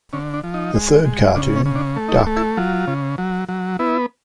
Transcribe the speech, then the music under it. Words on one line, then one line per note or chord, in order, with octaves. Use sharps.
The third cartoon, Duck!
D3 C#4
D4
F3
D#4
G#3
G#3
C#3 D4
C#4
C#3
D4
A3
D#4
E4
A3
E4
F#3 F4
C#3
F#3
F#3
B3 E4